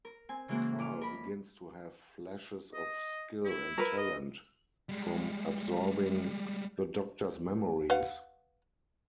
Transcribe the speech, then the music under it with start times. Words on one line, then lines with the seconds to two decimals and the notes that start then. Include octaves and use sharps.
Karl begins to have flashes of skill and talent from absorbing the doctor's memories.
0.05 A#4
0.29 C4 G#5
0.48 C#3 E3 G#3 A#3 F#4 A#4
0.79 F2 D6 F6
1.01 A#4 B5
2.74 D#5
3.45 E4
3.78 A#4 B4
3.97 D#5
4.89 G3 G#3
7.90 B4 F5 F#5